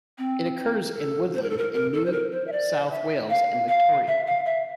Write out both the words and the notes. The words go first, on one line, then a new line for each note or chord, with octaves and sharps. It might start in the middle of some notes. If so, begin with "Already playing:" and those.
It occurs in woodland in New South Wales and Victoria.
C4
A4
C5
A#4
A4
A#4
A#4
A4
C5
A#4
C5
E5
D5
E5
F5
F5
E5
F5
E5